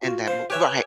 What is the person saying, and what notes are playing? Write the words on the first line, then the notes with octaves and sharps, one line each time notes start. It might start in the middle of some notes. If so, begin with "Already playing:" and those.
And that mo right.
F4 F#4
C5 F5
G4 B4 C#5 E5 G#5